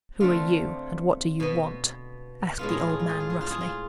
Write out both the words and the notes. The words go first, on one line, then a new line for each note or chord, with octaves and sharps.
'Who are you, and what do you want?' asked the old man roughly.
D3 A3 C4 F4
B2 B3
A2 G#3 B3 F4
G#4
F4
G#4
F4
G#4
F4
G#4
F4
G#4
F4